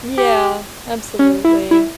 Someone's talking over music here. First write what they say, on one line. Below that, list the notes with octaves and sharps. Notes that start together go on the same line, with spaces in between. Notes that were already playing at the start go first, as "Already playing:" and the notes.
Yeah, absolutely.
G4
C#4
E4
E4